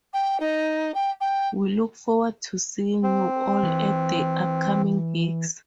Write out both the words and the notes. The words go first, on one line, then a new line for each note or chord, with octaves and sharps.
We look forward to seeing you all at the upcoming gigs.
G5
D#4
G5
G5
C4
E3